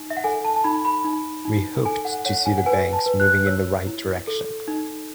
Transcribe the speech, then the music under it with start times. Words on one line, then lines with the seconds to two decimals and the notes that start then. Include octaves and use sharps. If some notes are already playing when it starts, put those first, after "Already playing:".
We hoped to see the banks moving in the right direction.
Already playing: D#4
0.10 E5
0.17 F#5
0.24 A4 G#5
0.45 A5
0.56 A5
0.64 D#4 B5
0.85 B5
1.04 D#4
1.45 D#4
1.85 A4 G#5
2.05 F#5
2.25 C#5 F#5
2.46 G#5
2.58 F#5
2.66 B4 G#5
2.93 A5
3.06 B4
3.20 F#6
3.46 C#5 E6
3.87 E4
4.27 A4
4.68 D#4